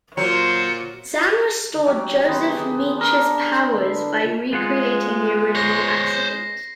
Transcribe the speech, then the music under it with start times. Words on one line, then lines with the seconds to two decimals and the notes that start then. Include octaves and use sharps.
Xan restored Joseph Meach's powers by recreating the original accident.
0.17 A#2 F#3 C5 C#7
1.86 F#3 G4
2.26 D#3 B3 C5
2.49 G#4
2.97 D4 A#4
3.50 B4 C5
3.73 D3 E4
4.53 G#3 B3 F4 F#5
5.55 C5 C#5 A#6 C7